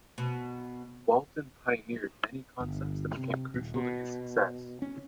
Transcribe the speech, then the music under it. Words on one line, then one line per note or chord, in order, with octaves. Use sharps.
Walton pioneered many concepts that became crucial to his success.
B2
G1
C3
D#1
B2
C#4